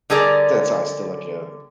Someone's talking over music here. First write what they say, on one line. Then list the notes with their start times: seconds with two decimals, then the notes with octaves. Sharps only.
that's how I still look at it.
0.10 D3 G3 G#4 A#4 D5